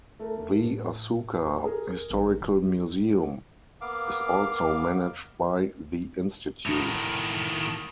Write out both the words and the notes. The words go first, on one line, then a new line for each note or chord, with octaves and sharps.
The Asuka Historical Museum is also managed by the institute.
A3 A#4
A2
G#4 A#4
A1
D1
A#3 B3 F5 D6
A2 D#3